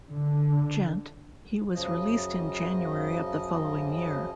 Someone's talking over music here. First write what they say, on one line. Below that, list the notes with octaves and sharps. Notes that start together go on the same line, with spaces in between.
Gent, He was released in January of the following year.
D3
F#2 C#3 F3 D#5